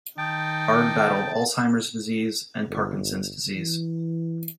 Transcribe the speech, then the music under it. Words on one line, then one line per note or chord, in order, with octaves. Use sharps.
Ard battled Alzheimer's disease and Parkinson's disease.
D#3 D#4 G5 A5
G1
E3